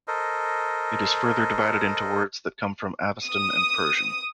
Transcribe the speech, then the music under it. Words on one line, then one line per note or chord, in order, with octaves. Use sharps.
It is further divided into words that come from Avestan and Persian.
A4 A#4 C5 D#5
D#6